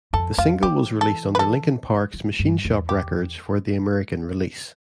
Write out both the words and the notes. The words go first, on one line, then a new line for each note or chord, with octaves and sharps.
The single was released under Linkin Park's Machine Shop Records for the American release.
F2 A4
F2 F4
E3 G4
A4
B4
A4
F3
G2
E2
G4